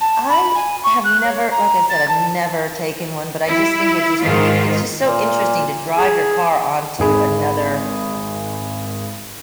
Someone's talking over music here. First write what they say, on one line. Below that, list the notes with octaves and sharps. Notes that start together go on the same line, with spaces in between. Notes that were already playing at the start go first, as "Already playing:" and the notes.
I have never, like I said, I've never taken one, but I just think it just would be it's just so interesting to drive your car onto another,
A5
B5
G#5
C#6
F#6
C#5
A#5
A6
A5
E4
G#2 D#3 F4
A#2
G#4
G#1 D#4 G#4 B5